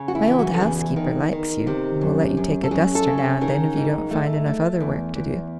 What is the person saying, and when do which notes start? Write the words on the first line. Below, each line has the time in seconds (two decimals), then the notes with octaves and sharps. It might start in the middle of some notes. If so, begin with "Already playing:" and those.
My old housekeeper likes you, and will let you take a duster now and then if you don't find enough other work to do.
Already playing: C#3
0.08 F#4
0.15 E4
0.27 E3
0.39 F#4
0.54 A4
0.62 E2 G#4
0.96 D#3
1.32 D#3
1.67 C3
2.01 F#2
2.37 F#2
2.64 A4
2.71 F#2 G#4
2.95 A4
3.07 C#3
3.18 A4
3.41 D#3 G#4
3.77 G#2
4.11 A3
4.46 A3
4.80 E2
5.15 E2